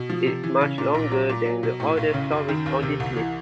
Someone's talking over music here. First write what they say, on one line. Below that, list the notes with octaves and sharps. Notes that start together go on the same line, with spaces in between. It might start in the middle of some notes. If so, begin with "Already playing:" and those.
It’s much longer than the other stories on this list.
Already playing: B2
F3
C3
E3
C#3
A#2
A#1
F#3
A#2
F#3
B2
A2
B1
C#3
F#2
D#3
D#2
C3
C2
E3